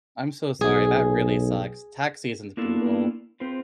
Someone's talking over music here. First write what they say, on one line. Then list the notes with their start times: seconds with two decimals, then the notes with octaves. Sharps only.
I'm so sorry, that really sucks, tax season's brutal.
0.61 B1 G#4
2.57 A#3 B3 D4 E4 F4 A4
3.40 C4 F4 G#4 B4 C5